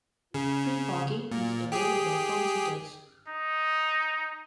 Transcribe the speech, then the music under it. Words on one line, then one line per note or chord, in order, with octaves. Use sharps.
Free parking is available for visitors.
C#3
A#2
G4 G#4
D#4